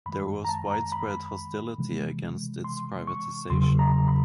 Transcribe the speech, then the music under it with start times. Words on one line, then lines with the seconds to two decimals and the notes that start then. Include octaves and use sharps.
There was widespread hostility against its privatisation.
0.06 F#2 D#3 G#3 B5
0.45 A#5
0.49 A5
0.71 A#5
0.92 B5
1.78 C3 E3 G#3
2.64 C6
3.07 C#6
3.50 E2 C#3 F#3 C6
3.79 A#5
4.08 B5